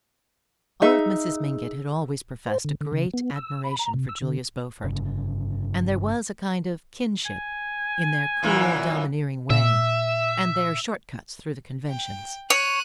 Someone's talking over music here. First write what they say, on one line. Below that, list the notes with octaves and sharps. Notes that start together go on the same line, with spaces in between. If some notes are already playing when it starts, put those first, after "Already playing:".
Old Mrs. Mingott had always professed a great admiration for Julius Beaufort, and there was a kind of kinship in their cool domineering way and their short-cuts through the conventions.
D#4 G#4 E5 E6
C5
D3
D3
C#3
B3
E6
B5
A#5
C3
E6
D3
G1 C#3
G#5
F#2 A#2 E3
A#2 E5
G5
C#5 F#6 D#7